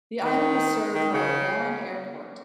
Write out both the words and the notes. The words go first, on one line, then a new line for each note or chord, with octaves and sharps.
The island is served by Lavan Airport.
D#3
D#3
C#3